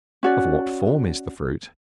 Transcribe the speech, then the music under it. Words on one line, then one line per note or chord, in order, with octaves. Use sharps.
Of what form is the fruit?
C#4 F#4 D5